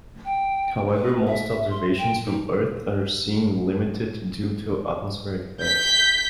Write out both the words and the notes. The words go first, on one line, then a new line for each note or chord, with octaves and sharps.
However, most observations from Earth are seeing-limited due to atmospheric effects.
G5
B4
E5
C6
G5
D#4
G6 B6